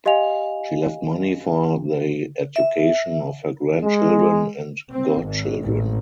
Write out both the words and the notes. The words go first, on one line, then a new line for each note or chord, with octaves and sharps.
She left money for the education of her grandchildren and godchildren.
G4 D#5 F5 G#5 F7
E5
G#3
C4
G#1
A1